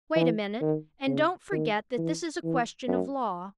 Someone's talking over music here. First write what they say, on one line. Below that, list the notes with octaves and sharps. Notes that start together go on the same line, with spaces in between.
Wait a minute, and don't forget that this is a question of law.
E3
D#3
C#3
D#3
E3
E3
F#2